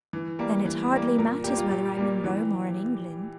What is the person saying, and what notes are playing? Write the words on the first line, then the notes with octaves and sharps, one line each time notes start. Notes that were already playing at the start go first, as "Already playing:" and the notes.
"Then it hardly matters whether I'm in Rome or in England."
E3
G3 A#3
E3
G3 A#3
A#2 A#4
G3 A#3 G4
F4
A#2 G4
G3 A#3
E3